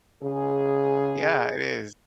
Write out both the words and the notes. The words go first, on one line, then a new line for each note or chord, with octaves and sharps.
Yeah, it is.
C#3 G#4